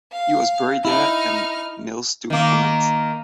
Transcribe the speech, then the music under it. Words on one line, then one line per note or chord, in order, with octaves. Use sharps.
He was buried there and Milz took command.
F5
D#4 E4 F6
D#3 A#3